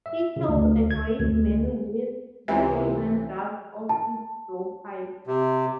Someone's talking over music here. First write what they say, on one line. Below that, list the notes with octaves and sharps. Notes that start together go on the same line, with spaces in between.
He killed a great many with the poisoned darts of his blowpipe.
E5
C#3
D2
G#6
D2
C#2 C3 E3
A5
C3